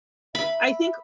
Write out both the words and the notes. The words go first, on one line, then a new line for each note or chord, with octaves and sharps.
I think
E5 B5